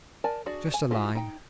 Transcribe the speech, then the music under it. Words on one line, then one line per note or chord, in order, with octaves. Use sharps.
Just a line.
A#4 D5 G#5 A5
D4 F#4 G#4 D5
G#5
G#3 E4 F4 G4
D#4 G5